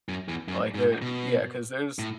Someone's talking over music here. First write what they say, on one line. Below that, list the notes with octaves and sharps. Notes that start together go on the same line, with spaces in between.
Like the Yeah, 'cause there's
F#2
E2
F#2
G#2
B2
A2